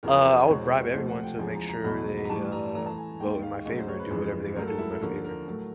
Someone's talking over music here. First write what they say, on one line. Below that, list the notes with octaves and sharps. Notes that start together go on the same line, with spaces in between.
Uh, I would bribe everyone to make sure they, uh, vote in my favor, do whatever they gotta do in my favor.
E2 C#3 F3 A#4
B4
C5
C5
E2 B2 G#3 C#5
C5
D2 C3 F3 A3 C5
F#5
G5
E2 C#3 F3 G#3 G#5
A#5
A#5
E2 B2 F#3 A3 B5
A#5
A2 E3 G3 A5
A#5
A2 E3 A3 A#5
A5
G#5
D#2 D#3 G#3 G5
F5
D2 C#3 F#3 D#5
C5
C#5
B4
F2 C#3 E3 G#3
C#2 C#3 F#3 A3 A#4
A4
E4
A4
D#2 D3 F3 A#4
A#4
A2 F#3 A3